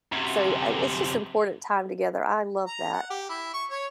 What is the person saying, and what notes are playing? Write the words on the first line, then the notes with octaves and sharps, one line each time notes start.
So, it it's just important time together, I love that.
F#2 C3
A#5
F#5
G4
E4
C#6
C#5